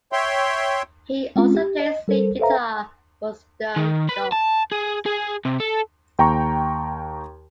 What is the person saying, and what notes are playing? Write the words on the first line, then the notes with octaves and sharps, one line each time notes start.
He also plays lead guitar for Stone Gods.
C#5 E5 G5 C6
G#3 C4 C#4 F4
G4
D#5
G3 A4 A#4 C5
A4 B4 C5 E5 F5 A#5
D#3
B4
A5
G#4
G#4
C3
A4
D#2 G5 A#5 C#6